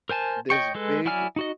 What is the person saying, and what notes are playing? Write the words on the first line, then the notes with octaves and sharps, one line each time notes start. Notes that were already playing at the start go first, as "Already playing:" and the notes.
this big
A#4 C5 G#5 A5
C#5 D#5 G5 C#6
G#3 A4 B4
F#3 E4 D5 G#5 F6
D#4 F#4 D#5